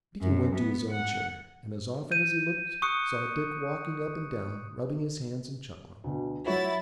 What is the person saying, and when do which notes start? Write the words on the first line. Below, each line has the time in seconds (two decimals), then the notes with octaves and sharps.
Binkie went to his own chair, and as often as he looked saw Dick walking up and down, rubbing his hands and chuckling.
0.22 F#2
0.56 B3
0.91 F#5
2.11 G6 D#7
2.82 C#6 D#6 F#6 C#7
6.04 D2 B2
6.46 F#3 E4 F#4 C#5 A6